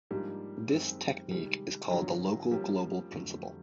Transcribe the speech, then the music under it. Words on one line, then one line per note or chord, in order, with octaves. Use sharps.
This technique is called the local-global principle.
G#2 F3 G3 A#3 D4
F#2 D#3 G#3 C4
C3 D#3 G3 G#3
G2 D3 F3 F#3
F3 G3 A#3 C#4
F2 D3 F#3 A3